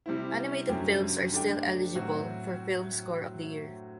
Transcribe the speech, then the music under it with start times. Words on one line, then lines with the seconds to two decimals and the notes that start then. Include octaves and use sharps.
Animated films are still eligible for Film Score of the Year.
0.06 C3 G3 C4 E4
0.68 F#2 D3 F#3 C4 G4
1.33 D3 A3 D4 G4
1.95 A2 F#3 C4 F#4